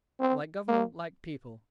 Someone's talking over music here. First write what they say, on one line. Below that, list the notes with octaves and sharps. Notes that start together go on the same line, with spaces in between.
Like government, like people.
C4
A#3